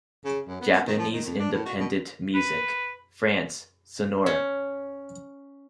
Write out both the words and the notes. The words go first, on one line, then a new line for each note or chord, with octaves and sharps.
"Japanese Independent Music", France: Sonore.
C#3
F#2
B3
B3
D#3
F3
D#3
F2
D4
A2
F#4
B2
B4
C#4